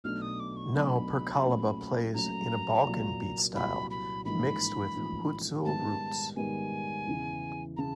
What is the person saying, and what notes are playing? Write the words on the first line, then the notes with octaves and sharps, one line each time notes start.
Now Perkalaba plays in a Balkan beat style mixed with Hutzul roots.
B1 B2 F#3 A3 D4 F6
D#6
D6
C#6
B1 B2 F#3 A3 D4 B5
A#2 F#3 A3 C#4
A#2 F#3 A3 C#4 A#5
C2 A#2 F#3
C2 A#2 F#3 B5
B5
A1 G#2 F3 A#3 D#4 B5
A1 G#2 F3 A#3 D#4
G#2 D#3 G3 B3 A5
G#2 D#3 G3 B3 G#5
E2 C#3 E3
C#3 A5 A#5